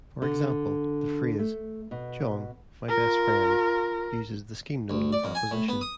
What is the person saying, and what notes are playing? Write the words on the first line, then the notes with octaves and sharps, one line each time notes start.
For example, the phrase, "John, my best friend" uses the scheme known as apposition.
D3
A3
B2
F4 A#4
D2
D5
F2
G#5
A2
B3
D#6